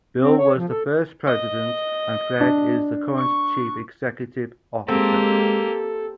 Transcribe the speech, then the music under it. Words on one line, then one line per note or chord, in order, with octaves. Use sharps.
Bill was the first president and Fred is the current chief executive officer.
C4
C#5
F3
A4
D#5
D4
C#6
G#3 A#3 C4 G4 A4